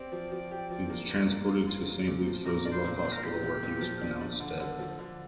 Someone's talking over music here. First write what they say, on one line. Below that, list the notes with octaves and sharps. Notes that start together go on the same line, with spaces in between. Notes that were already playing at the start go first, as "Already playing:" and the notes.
He was transported to Saint Luke's-Roosevelt Hospital, where he was pronounced dead.
Already playing: C4 G4 D5
F3
F3
G4
F3
A#3
A#3
A#3
F4
F4
A#3
A#2
F3
A#2 A#4
D4 D5
C5
A#2
C5
A#2
A#4
F3 G4
A#2
A#2
F3
D4
D4
D3
D3
F3
D3